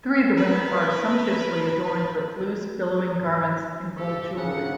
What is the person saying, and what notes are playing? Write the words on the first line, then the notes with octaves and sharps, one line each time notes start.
Three of the women are sumptuously adorned with loose, billowing garments and gold jewellery.
A#4 B4
G4 A4
C#3 F#5 F#6